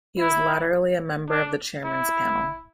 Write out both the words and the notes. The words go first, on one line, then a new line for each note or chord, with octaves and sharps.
He was latterly a member of the Chairman's Panel.
E4
D4
E4